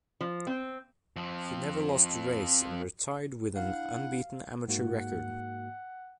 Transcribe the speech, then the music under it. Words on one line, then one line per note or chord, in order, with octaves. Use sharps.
He never lost a race and retired with an unbeaten amateur record.
F3
C4
F2 F3
D4 E4 F5 F#5
G#2 A#3 F#4 F#5